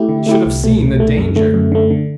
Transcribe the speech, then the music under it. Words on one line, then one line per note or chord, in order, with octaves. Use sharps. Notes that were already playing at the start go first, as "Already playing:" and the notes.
"You should have seen the danger."
Already playing: A3 E4 G4
D3
A3 E4 G4
C2
B2 A3
C2
B2 A3
F#2
D3 A3
F#2
D3 A3
D3